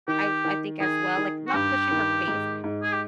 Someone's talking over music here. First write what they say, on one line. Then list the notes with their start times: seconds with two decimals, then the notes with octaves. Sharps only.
I've I think, as well, like, not pushing her faith,
0.08 D#3 G4
0.44 D#3
0.80 D#3 G#4
1.17 D#3
1.47 F#4
1.54 G2 G4
1.91 D#3
2.28 G#2
2.64 G#2
2.82 G#4
2.92 G4